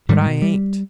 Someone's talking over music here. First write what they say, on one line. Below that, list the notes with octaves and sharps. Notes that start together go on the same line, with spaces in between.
"But I ain't."
G#2 D#3 G3
B2
G3